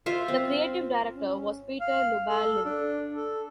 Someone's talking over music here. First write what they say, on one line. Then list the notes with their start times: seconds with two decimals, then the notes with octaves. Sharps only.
The Creative Director was Peter Lubalin.
0.06 F4 C5 E5 F5
0.28 C4
1.13 C#4
1.80 F5
2.28 A4
2.65 D4
3.14 A4